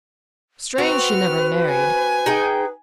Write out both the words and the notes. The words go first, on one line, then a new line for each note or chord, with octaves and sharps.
Strange she never married.
C4 F#4 B4 F6
G#5
D#4 G#4 G5